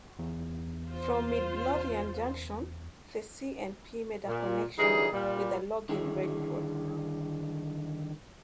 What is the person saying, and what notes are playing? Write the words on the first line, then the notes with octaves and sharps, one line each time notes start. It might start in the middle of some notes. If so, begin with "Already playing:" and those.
From Midlothian Junction, the C and P made a connection with a logging railroad.
E2
F4 C5
A#2
D3 E3 F#3 G3 D#4 G#4
A#2 G3
D3 D#3 G3 E4 G#4